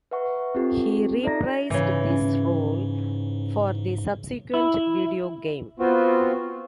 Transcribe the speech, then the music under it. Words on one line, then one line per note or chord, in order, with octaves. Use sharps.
He reprised this role for the subsequent video game.
B4 E5 F#5 C#6
C4 F4 G4 A4
D#4 A4 D5 E5 A#5 A#6
G#2 C#3 E3
C#4
E4
B3 C4 F4 F#4